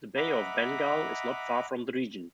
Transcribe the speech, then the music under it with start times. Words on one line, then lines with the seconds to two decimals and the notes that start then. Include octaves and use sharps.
The Bay of Bengal is not far from the region.
0.16 D#5 E5 F#5 A#5 B5 D6